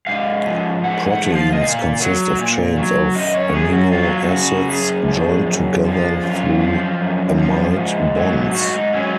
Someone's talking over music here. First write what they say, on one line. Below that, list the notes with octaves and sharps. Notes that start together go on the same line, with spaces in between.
Proteins consist of chains of amino acids joined together through amide bonds.
G#2 F5
F3
G#2 F#5
F#5
F3
F5
D#5
A#2 F5
F#3
A#2
F#3
F#2 D#5
C#5
F#2 G#4
F#4
F#3 F4
C#3 F#4
F#2 G#4
F3
F#2
F3
F#2 F4
F3
F#2
F3
G#2
F#3
G#2 F#4
D#4
F#3 C#4